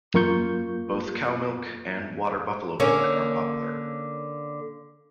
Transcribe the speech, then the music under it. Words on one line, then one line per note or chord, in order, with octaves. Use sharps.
Both cow milk and water buffalo milk are popular.
F#2 A#3 F4 C#6 G6
D3 A#3 C#4